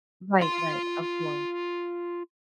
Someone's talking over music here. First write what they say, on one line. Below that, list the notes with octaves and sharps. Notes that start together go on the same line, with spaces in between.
Right, right, of course.
F4 C6